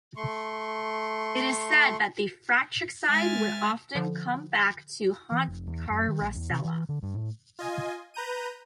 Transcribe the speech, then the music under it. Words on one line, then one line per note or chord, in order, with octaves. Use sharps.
It is said that the fratricide would often come back to haunt Caracalla.
A3 C6 C#6
G#3 E5 G#5 F6 A6
D3 F3
E3
F1
E2
F#2
D#3
A#1
E2
C3
E3
D3
G2
A2
F4 D#5 G#5
B4 A#5 G6 D#7